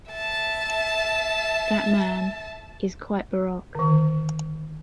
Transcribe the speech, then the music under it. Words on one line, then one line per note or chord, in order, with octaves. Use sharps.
That man, is quite baroque...
E5 A5
D3 D#3